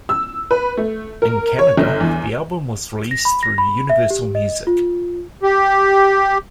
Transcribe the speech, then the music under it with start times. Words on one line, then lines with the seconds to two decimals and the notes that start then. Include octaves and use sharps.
In Canada, the album was released through Universal Music.
0.09 E6
0.51 B4
0.77 A3
1.22 A#4
1.59 C#5
1.77 G1
2.00 E2
3.11 A#6
3.25 B5
3.43 A#6
3.58 B5
3.90 E5
4.10 G4
4.35 D#5
4.67 F4
5.43 G4